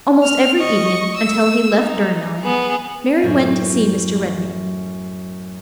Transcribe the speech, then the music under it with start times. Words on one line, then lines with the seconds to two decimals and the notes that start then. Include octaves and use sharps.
Almost every evening, until he left Durnmelling, Mary went to see Mr. Redmain.
0.23 F6
0.58 D#5 C#6
1.16 E6
1.78 D#4
2.42 B3 G#4
3.23 F#2 A2